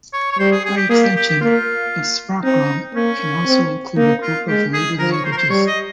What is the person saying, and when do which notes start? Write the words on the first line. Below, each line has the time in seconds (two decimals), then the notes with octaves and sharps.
By extension, a sprachraum can also include a group of related languages.
0.13 C#5
0.32 C#5
0.39 G3 C5
0.52 G#4
0.65 G#4
0.77 G4
0.90 A#3 G#4
1.03 G4
1.16 G4
1.29 G4
1.41 A#3 F4
2.43 C4 D#4
2.95 A#3 C#4
3.46 C4
3.97 A#3 D#4
4.22 F4
4.48 G#3 G4
4.74 G#4
4.99 F3 A#4
5.12 C#5
5.25 C5
5.32 A#4
5.37 C5
5.50 G3 C#5
5.67 D#5